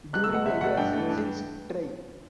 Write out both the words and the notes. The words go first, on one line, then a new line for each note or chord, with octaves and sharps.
During the years since Try!
C#2 F#6
E6
B2 A3 F#5
C#2 E5
B2 A3 F#5
G2 G5
E3 A3
G2